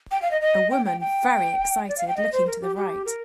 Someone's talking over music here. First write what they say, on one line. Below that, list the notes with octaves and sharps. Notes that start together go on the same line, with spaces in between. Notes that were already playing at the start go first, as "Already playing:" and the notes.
A woman very excited looking to the right.
G5
F5
D#5
D#5
G5
G5
G5
D5
F5
G5
D#5
C5
A#4
G4
G4
A#4